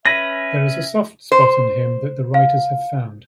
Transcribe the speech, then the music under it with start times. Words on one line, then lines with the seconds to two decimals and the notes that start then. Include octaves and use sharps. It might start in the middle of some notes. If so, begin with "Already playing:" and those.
There's a soft spot in him that the writers have found.
0.05 C#4 B4 E5 A#6
1.32 C5
2.34 F5